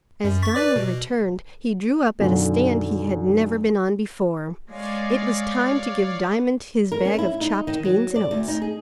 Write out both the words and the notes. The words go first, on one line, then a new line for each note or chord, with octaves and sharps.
As Diamond returned, he drew up at a stand he had never been on before: it was time to give Diamond his bag of chopped beans and oats.
F#2
C#6 A6 B6
B4 D5 D6
B2
B1 F#2 D3 D#3 F#4
G#3 C#5 D5 F5
A#4
C#4
E4
D#4
D#3
F#3
D5
D2
D#4
G#4